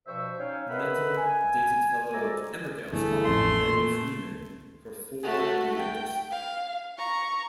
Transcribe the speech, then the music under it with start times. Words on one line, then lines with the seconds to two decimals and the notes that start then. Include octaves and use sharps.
Nuttall dated fellow "Emmerdale" star Ben Freeman for four years.
0.07 G2 B2 F3 C5 E5 C#6
0.39 C#4 D#4 C#5 F5 G5 G#5
0.69 A#4 B4 D#5 E5 F#5 B5
1.17 G#5
1.89 G#5
2.14 C3 G#3 F#4 A4 D5 A#5
2.92 G1 E3 A3 G#4
3.25 A1 F2 C6
3.63 A#2 A4
5.24 A3 F#4
5.77 G5
6.31 F5
6.98 A#5 C#6